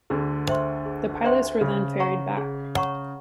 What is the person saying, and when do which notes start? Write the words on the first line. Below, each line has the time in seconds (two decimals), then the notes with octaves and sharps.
The pilots were then ferried back.
0.10 D2 D3 G#4
0.48 C5 E5 G5 C6
0.86 G#4
1.24 C5 E5 G5 C6
1.61 C#3 G#4
1.99 C#5 F#5 A#5 C#6
2.37 G#4
2.75 C#5 F#5 A#5 C#6